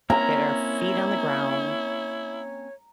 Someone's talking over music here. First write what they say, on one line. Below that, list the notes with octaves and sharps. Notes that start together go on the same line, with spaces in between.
get our feet on the ground,
A#3 C4 C#4 E4 C#5 A#5